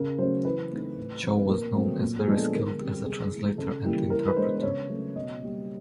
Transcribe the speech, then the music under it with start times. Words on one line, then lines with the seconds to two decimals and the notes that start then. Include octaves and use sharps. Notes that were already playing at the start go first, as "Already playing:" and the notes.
Choe was known as very skilled as a translator and interpreter.
Already playing: C#3 A#4
0.18 F#3 A3 C#4 C5
0.45 E3 B4
0.72 A3 C4 D#4
0.97 A2
1.23 F3 A3 C4 D#4
1.38 B4
1.49 A#2 A#4
1.76 F#3 A3 C4
2.02 A#2
2.19 G#4
2.28 F3 G#3 B3 D4
2.37 A4
2.54 D3 A#4
2.80 G3 C4
2.95 G4
3.06 C3 G#4
3.32 E3 A3
3.58 C#3 A4
3.85 E3 G3 A#3
4.10 E3 A#4
4.28 B4
4.36 G#3 B3 D4 C5
4.56 C5
4.63 C#3 C#5
4.89 F#3 A3 C#4
5.16 B2 D#5
5.42 G3 A#3